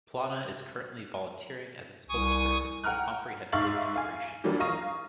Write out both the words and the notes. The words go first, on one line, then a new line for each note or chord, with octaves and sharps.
Plana is currently volunteering as a spokesperson for Comprehensive Immigration Reform.
C2 G#5 C#6 D#6
F#5 G5 A#5 F6 F#6
G#2 E5 F5 C#6 A6 F#7
F5 G#5
E3 F#3 G3 A#3 D4 F4
F5 A#5 C#6 D#6 A#6 D#7